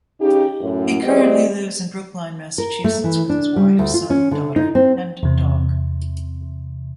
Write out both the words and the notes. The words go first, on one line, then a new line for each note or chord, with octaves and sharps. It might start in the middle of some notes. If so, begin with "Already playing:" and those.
He currently lives in Brookline, Massachusetts with his wife, son, daughter, and dog.
C#3 D#4 G4
F#2 A2
E2 G3 G#3 C4 D5 D#5
A#4
A3
E3
D4
G3
D2
F4
C#4
D3
D#4
C4
E2 C3